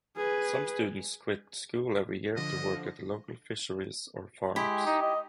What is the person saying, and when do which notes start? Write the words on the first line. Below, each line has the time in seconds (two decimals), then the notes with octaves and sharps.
Some students quit school every year to work at the local fisheries and farms.
0.17 G#4 B4
2.36 D3 F3 D#5
4.56 G#3 E4 G4 B5
4.86 D#4
5.02 D#5